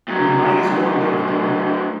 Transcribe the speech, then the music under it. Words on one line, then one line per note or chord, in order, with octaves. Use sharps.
You might as well live dear.
A2 F#3